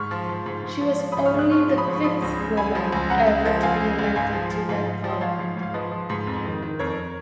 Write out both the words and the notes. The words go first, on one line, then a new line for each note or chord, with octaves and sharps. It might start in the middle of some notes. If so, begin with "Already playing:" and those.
She was only the fifth woman ever to be elected to that parliament.
Already playing: G#2 C#6 F6
F3
F3
G#2
G#2
F3
F3
G#2 B5 D#6
C#6 F6
G#2 D#6 F#6
F3 C#6 F6
F3
B5 D#6
G#2
C#6
F3 B5 D#6
C#2
C#3
C#2 G#5 B5
F3
C#2
C#3 F#5 A#5
C#2
F3
C#2 F5 G#5
C#3
C#2
G#2 F5 G#5
F3
F3
G#2
G#2
F3
D#5
F3 C#5 F5
G#2
G#2
F5
F3 B4 D#5
F3
G#2
F2
D#3
D#3
F2 A#4 C#5